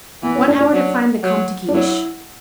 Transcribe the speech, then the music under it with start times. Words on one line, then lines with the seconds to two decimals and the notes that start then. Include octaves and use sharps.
"One hour to find the Comte de Guiche."
0.23 E3 B3
0.35 C#4
0.48 D4
0.61 D4
0.73 F#3
1.23 F#3
1.68 D4
1.74 F#3 E4